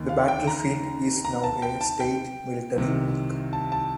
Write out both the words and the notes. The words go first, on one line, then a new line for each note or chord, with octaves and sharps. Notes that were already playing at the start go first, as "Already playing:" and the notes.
The battlefield is now a State Military Park.
Already playing: D#2 D#3
F5
G5
A#5
A#5
A5
G5
A5
G5
C2 C3 D#3
A5
A5